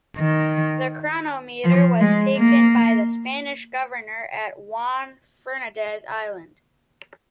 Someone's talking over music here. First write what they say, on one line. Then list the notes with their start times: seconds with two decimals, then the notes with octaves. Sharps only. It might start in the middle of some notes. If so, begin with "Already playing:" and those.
The chronometer was taken by the Spanish governor at Juan Fernandez Island.
0.18 D#3
1.64 F3
2.01 G#3
2.37 A#3